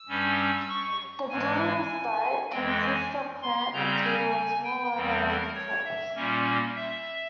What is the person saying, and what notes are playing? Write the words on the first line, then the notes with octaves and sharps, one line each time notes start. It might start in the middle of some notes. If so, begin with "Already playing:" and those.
The bitterling's diet consists of plant material and small larvae of insects.
Already playing: E6
G2 G3 C#4
E6
C#6
G#2 E3 G#3 G#5
F2 E3 G#3 C4 G5
G#5
C6
C#3 G3 C4 A#5
G#5
G5
E2 E3 G3 C4
A#4
C#5
E5
A#2 G3 A#3 C#4
E5